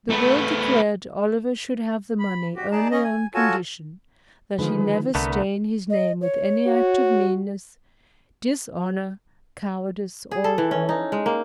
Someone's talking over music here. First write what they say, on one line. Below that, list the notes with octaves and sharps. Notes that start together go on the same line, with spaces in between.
The will declared Oliver should have the money only on condition that he never stain his name with any act of meanness, dishonor, cowardice or wrong.
A3 B3
B5
F#4 G4
D#4 G#4 D5 A5
C#4 D#5
G#5
F4 F#4 A4 C#5 G#5 A5
D3 D#3 F3 G#3 B4
C2 D3 A3 B3 A#4
D#5
C#5
F#4
G#4
A4
E3
C#4
D#4
G#3
A#3